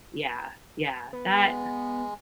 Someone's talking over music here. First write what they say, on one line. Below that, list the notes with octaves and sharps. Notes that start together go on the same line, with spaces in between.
Yeah, yeah, that
B3
G#3